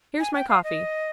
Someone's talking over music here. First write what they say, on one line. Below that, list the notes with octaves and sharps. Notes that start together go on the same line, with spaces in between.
Here's my coffee.
G#5
G5
F5
D#5